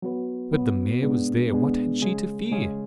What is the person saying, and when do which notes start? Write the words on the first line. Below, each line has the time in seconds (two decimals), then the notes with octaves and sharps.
But the mayor was there; what had she to fear?
0.02 F#3 B3 F#4 B4
0.52 F#3 B3 F#4 B4
1.02 B2 G#3 B3 D4 G#4
1.52 B2 G#3 B3 D4 G#4
2.02 C#3 G#3 C#4 G#4
2.52 C#3 G#3 C#4 G#4